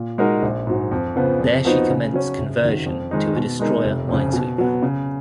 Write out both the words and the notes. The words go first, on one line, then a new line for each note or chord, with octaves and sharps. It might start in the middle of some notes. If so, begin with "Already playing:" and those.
There she commenced conversion to a destroyer-minesweeper.
Already playing: A#2
G#3 D#4 F#4 A#4
A#1
G#2 F#3
F2
C#3 F3 B3
F2
F3 B3 D#4 F#4
C#3
F#3 C#4
F#1
F2 D#3 F#3
F2
D#3 G#3 D#4
B2
G#3 D#4 A#4
F1
F2 C#3
B2
F#3 B3
C#3